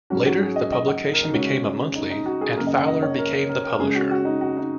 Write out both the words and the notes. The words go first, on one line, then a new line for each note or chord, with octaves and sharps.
Later, the publication became a monthly and Fowler became the publisher.
G#2 F#3 C#4 F#4
F#4
G#4
D#5
D#5
F#5
A#4
D#4
C#3 G#3 C#4 F#4
D#4
D#4
F#4
G#4
F#2 C#3 A#3 A#4
D#5
F#5
D#5
C#5
A#4
A#4
A#4
A#4
C#3 G#3 C#4 G#4
F#4
F#4
D#4
F#4
D#4